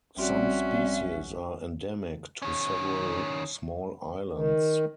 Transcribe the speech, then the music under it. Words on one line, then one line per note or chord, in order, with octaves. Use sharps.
Some species are endemic to several small islands.
A#1 G3 C4 C#4 F#4 D5 E5
D#3 C#4
D#3